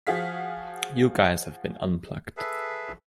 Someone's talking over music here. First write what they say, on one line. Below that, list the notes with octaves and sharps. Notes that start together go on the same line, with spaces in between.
You guys have been unplugged!
F3 F#4 G#4 F5 B6
G#4 A4 B4 E5